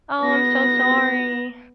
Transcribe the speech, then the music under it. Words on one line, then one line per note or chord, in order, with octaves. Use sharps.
Oh, I'm so sorry.
B3 A#6